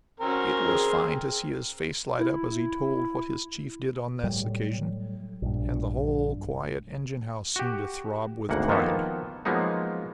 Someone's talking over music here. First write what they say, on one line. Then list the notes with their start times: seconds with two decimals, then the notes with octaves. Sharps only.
It was fine to see his face light up as he told what his chief did on this occasion, and the whole quiet engine-house seemed to throb with pride.
0.20 C4 C#4 F#4 A#4
0.64 G#4
2.19 E4
4.23 A2 F#3 G3
5.42 A#1 G2
7.56 F#4 G4
8.49 G#1 D2 A#3 F#5
8.69 D#3 F3 A#3 B3 A4
9.45 F3 F#3 G#3 A#3 B3 D#4